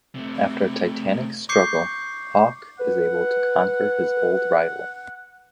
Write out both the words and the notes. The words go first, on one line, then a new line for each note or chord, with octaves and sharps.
After a titanic struggle, Hawk is able to conquer his old rival.
C3 A3
C#6 D6 G6 C7 C#7
B4 F#5